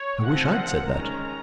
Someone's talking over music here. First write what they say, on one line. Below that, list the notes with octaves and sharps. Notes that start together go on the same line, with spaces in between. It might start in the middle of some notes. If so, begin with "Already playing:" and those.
"I wish I'd said that."
Already playing: C#5
F3 C4 F#5
D#3 G#3 C#4 A#5